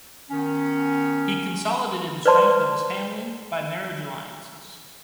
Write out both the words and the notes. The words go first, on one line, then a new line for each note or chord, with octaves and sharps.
He consolidated the strength of his family by marriage alliances.
D#3 B3 C#4
B4 C5 D5 A5 C6